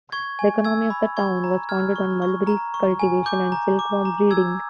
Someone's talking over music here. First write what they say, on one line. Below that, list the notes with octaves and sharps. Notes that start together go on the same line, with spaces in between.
The economy of the town was founded on mulberry cultivation and silkworm breeding.
C#6 G#6
G#5
E6 G#6
B5
C#6 G#6
A#5
F6 G#6
C#6
C#6
A#5
C#6
G#5
D6 G6
A#5
D6
A#5
E6 G#6